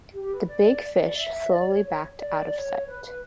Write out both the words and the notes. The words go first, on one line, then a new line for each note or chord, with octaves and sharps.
The big fish slowly backed out of sight.
G4
B4
D5
D5
D5
E5
E5
D5
C#5
C#5
D5
C#5
B4
B4